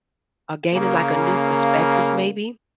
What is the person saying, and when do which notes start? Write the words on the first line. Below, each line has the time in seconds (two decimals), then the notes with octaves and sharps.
or gaining, like, a new perspective maybe?
0.73 C#3 A#3